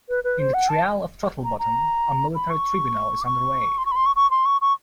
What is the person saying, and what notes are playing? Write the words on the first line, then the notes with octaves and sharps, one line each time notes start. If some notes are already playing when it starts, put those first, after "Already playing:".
In the "Trial of Throttlebottom" a military tribunal is underway.
B4
B4
C5
F#5
A5
A#5
A#5
B5
C#6
D6
C#6
C6
C#6
B5
C6
C#6
C#6
C6
C#6
C#6